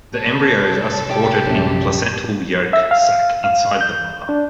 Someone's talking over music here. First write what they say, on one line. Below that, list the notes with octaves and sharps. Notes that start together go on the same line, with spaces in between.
The embryos are supported in placental yolk sac inside the mother.
C2 A4 C#5
G4
A#1 F#2
E5
F5
F5
G6
D4